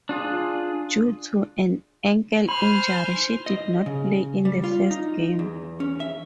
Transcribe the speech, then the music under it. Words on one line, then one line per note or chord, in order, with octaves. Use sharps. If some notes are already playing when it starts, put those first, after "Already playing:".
Due to an ankle injury, she did not play in the first game.
D4 F4 G#4
C5 G#5 B5 F6
D#5
C#3
G3
F4
D#4
E2
C#4
E5